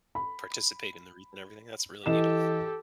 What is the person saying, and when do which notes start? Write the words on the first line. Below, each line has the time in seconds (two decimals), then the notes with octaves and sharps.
Participate in the wreath and everything, that's really neato.
0.15 B5
2.06 E3 G4 A4 D#5 E7